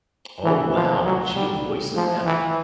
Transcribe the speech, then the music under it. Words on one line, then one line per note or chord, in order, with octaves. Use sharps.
Oh, wow! Was she a voice in that?
E3
F3
F#3
G3
F3
E3